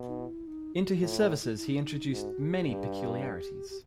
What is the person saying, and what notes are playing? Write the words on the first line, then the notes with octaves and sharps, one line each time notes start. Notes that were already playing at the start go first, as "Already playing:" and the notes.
Into his services he introduced many peculiarities.
Already playing: B2
D#4
E4
D#4
F#4
A2 F4
E4
E4
E4
D#4
D4
D#4
G#2 F#4
G4
G2
G4